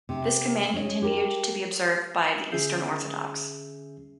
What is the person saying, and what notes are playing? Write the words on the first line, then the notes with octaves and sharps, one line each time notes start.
This command continued to be observed by the Eastern Orthodox.
C3
C#4 D#5
G4 A#4
D3 C#4 G#4 E5 G6 C7